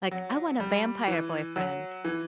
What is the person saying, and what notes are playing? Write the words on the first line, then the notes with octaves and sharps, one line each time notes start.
like, "I want a vampire boyfriend."
F#3
G3
E3
F#3
E3